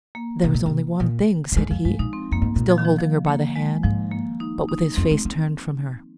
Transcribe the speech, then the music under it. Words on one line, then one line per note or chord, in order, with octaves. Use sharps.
"There is only one thing," said he, still holding her by the hand, but with his face turned from her.
A#3
C3
A#2
C3
A#2
A#2
G#2 G#3
F2 F3
G#2 G#3
A#2 D#4
C4
F2 A#3
G#2
A#2
F3
D#3
F3
F3
A#3
G#3
G#2 F3
A#3
D#4
D#4
F2 C4
G#3
A#3